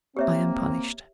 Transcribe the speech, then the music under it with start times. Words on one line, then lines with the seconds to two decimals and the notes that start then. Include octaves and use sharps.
I am punished.
0.17 A#3 C4 G4 C#5 E5